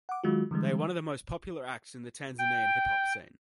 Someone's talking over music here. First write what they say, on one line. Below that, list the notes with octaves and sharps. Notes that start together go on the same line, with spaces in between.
They are one of the most popular acts in the Tanzanian hip hop scene.
F#5 D6
D#3 F#3 G#3 F4 F#4
D3 E3 G3 G#3
G5